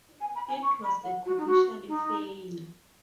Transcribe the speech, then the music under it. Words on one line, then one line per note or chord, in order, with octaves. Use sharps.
It was a commercial failure.
G#5
B5
G#5
C#6
B5
F#5
F#4
D#4
F#4
D#4